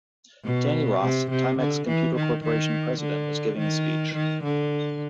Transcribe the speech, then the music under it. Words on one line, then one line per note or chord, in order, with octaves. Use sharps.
Danny Ross, Timex Computer Corporation president was giving a speech.
B2
C3
C3
D3
E3
D#3
D#3
D3
D#3
D#3
D3